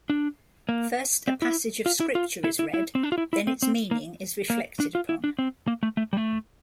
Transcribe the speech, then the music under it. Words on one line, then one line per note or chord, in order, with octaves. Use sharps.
First a passage of Scripture is read, then its meaning is reflected upon.
D4
A#3
C4
E4
F4
E4
F4
E4
E4
E4
C4
D4
F4
E4
E4
C4
C4
A#3
A#3
D4
F4
E4
D4
C4
A#3
A3
A3
G3
A3